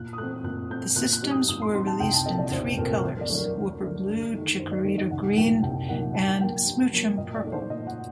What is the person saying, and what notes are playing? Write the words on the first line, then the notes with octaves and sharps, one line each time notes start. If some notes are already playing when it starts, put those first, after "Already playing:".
The systems were released in three colors: Wooper Blue, Chikorita Green, and Smoochum Purple.
Already playing: A#2 F#6
D#6
A3 C4 F#6
A#2 F#6
A3 C4 G6
A#2 F#6
F#6
G3 C4 D#4
D#6
A#2 D#6
C6
G3 C4 D#4 C6
A5
C2 G5
A5
A#2 A3 C4 D#5
D5
C2 C5
C5
A#2 A3 C4 A#4
A#4
D2 C5
D5
D3 F#3 A3 D4
A#4
D2
D3 F#3 A3 D4
G2
D#3 A3 D#4
G2 C5
D5
D#3 A3 D#4
D#5
C2 F#5
A#2 F#3 A#3 D#4 G5
C2 G5
A#2 F#3 A#3 D#4 F#5
G2 A5
F#3 A#3 G5
G2
F#3 A#3
A#2 D#5
D5
A3 D#4
C5
A#2 D#5
F#5